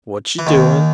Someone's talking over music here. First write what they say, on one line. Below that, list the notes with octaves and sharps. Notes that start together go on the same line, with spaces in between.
"What you doin'?"
E3
D#2 D#3